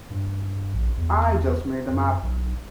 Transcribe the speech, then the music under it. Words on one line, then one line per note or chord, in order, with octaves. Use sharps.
I just made them up.
G2
A#1
E2
F#2
B1